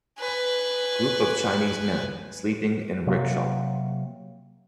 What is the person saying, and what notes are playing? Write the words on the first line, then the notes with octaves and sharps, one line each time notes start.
Group of Chinese men sleeping in rickshaw.
B4 G#5
C3 F#3 A#3